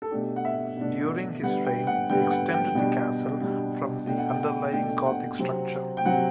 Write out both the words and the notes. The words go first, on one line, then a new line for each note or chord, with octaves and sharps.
During his reign he extended the castle from the underlying Gothic structure.
A4
B2 A3 D4 G4
F#5
E5
B2 A3 D4
D3 G3 B3 F#5
G5
F#5
D3 G3 B3 G5
F#5
G5
B2 G3 D4
B2 G3 D4
B2 A3 D4 G5
F#5
G5
F#5
B2 A3 D4 G5
F#5
C3 F#3 C4
G5
C3 F#3 C4 F#5